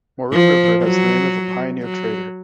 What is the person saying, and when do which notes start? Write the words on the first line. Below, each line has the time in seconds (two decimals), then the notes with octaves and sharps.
Moreau River has the name of a pioneer trader.
0.33 F3
0.83 F#3
1.82 F#3